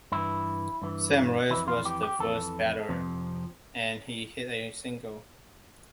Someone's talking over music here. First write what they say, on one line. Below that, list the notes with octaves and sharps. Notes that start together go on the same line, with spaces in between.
Sam Rice was the first batter, and he hit a single.
G2 E3 E4
G2 E3
F2 E3 E4
F4
G4
G4
F2 E3 A4
F2 C3 F3